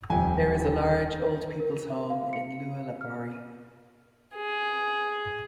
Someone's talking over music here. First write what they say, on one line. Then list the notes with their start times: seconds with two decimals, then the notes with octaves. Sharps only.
There is a large old people's home in Luolavuori.
0.10 D#1 F2 G5 G#5
1.60 A#4
1.90 E5
2.10 F5
2.33 C#7
3.01 F6
4.36 G#4